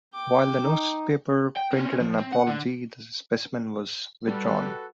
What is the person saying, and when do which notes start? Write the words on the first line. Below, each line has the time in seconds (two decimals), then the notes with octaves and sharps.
While the newspaper printed an apology, the specimen was withdrawn.
0.14 G5 D6
0.64 D#4
1.57 G5
1.73 C4 C#4
2.01 F3
2.19 C4
2.33 F#5
2.47 D3
4.27 G3 F#4 A4 B4